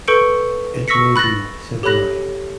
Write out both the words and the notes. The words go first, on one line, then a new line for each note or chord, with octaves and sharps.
"It may be," said the Lion.
A4 B4 C#6 G6 C#7 D7
C#6 E6 A#6 B6 C#7
B5 F#6 A6 A#6
G4 A4 C#5 B5 F#6 A#6